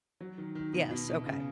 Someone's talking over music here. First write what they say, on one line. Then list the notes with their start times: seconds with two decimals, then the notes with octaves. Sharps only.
Yes, okay.
0.21 F#3
0.38 D#3
0.55 D#3
0.73 B2
0.91 B2
1.09 B2
1.26 C#3